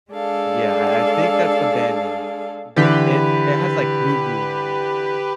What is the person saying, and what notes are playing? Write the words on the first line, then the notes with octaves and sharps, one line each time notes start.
Yeah, I I think that's the band name. W it's it has, like, Goo Goo in the name.
G#3 D4 G#4 A4 D5 F5
D3 E3 G4 B4